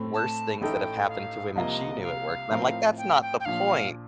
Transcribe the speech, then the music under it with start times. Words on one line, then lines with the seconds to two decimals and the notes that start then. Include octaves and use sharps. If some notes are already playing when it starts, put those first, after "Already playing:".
worse things that have happened to women she knew at work, and I'm like, "That's not the point."
Already playing: A2 A3 C4
0.14 A5
0.61 A1 A2 A3 D#4 A4 G5
1.09 F5
1.56 C2 C3 F3 A#3 F4 D#5
2.03 F5
2.51 A2 F3 C4 F4 A#4
2.98 G5
3.22 G5
3.40 G5
3.45 A#1 A#2 F3 F5